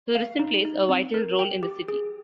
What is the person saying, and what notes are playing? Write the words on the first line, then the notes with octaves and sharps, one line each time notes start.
Tourism plays a vital role in the city.
F5
D#4
D#4
C4
A#4
G5
G4
G#4